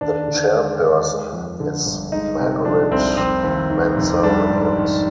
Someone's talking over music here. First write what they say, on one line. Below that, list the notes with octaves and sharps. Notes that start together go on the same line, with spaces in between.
The chairperson is Margaret Mensah-Williams.
D#2 D4
D3
G#3
D#2
G#3
F2
D3
G1
G#3 D#4
C3
F3 D4
C2 C4
F1 C4
D#2
D#3
F1
G3 D4
G#2
D#3